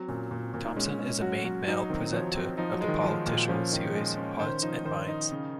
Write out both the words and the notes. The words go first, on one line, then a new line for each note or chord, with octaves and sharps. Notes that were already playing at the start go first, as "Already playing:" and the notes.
Thompson is the main male presenter of the political series "Hearts and Minds".
Already playing: F#3 C4
A#2 C#4
A#2
C4
A#2
D#4
G#3 C#4
G#3 C#4
F#3 F#4
F#3 F#4
F#3 D#4
D#3 C4
F3 C#5
C4
F3 D#4
F#3
G#3
D#3
F3
A#2
F3 C#4
D#3
G#3
C#4
D#3 C5
F3 D#4
D#3 C5
D#4
C#3